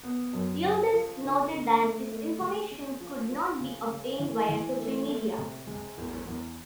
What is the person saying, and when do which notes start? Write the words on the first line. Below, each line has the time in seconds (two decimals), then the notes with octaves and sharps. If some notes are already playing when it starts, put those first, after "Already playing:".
Yildiz noted that this information could not be obtained via social media.
0.03 B3
0.33 F#2
0.62 C#3
0.92 F3
1.22 D3
1.52 D3
1.82 A3
2.11 A3
2.41 G#3
2.71 C#4
3.00 F3
3.30 F3
3.60 C#3
3.89 C#3
4.19 E3
4.49 E3
4.79 A3
5.08 A3
5.38 C3
5.67 G#3
5.98 E2
6.27 E2